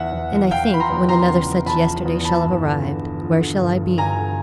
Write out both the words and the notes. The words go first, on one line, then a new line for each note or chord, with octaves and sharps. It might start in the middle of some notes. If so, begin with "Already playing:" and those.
And I think when another such yesterday shall have arrived, where shall I be?
Already playing: E2 E5 F#5
E2
E2
E2 F5 G5
F3 B5
A#5 C6
E2
E2 A#5 C6
C#3
E2
E2 A5 B5
F3
E2
F3 A5 B5
G2
D3
D3
D3
F3
D3
G2
F3
G2 G#5 A#5
D3